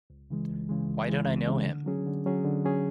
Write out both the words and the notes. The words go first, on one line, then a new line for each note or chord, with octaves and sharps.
Why don't I know him?
C#2
C#3 E3 G#3
C#2
C#3 E3 G#3
C#2
C#3 E3 G#3
C#2
C#3 E3 G#3
D3
F#3 C#4 G#4
D3
F#3 C#4 G#4
D3
F#3 C#4 G#4